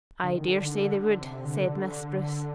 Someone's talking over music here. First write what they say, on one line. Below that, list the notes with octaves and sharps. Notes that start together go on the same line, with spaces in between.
"I dare say they would," said Miss Spruce.
D3
D#3
D3
C3
D3